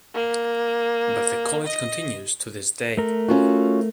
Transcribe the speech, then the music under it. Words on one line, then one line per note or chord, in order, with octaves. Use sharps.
But the College continues to this day.
A#3
D#5
A3 A#4
C#4 F4 F#4